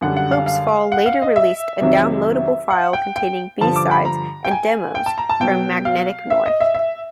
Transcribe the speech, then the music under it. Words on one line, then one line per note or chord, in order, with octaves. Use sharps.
Hopesfall later released a downloadable file containing b-sides and demos from "Magnetic North".
F#2 D3 G3 F#5
F#5
F5
F5
F#5
F5
D#5
E5
F2 C3 D#3 F#3
F#5
G5
G5
G2 D3 F3 A5
D6
B5
A#5
G5
G#5
G5
A5
A#5
A5
B2 F#3 G5
F5
E5
D#5
E5
E5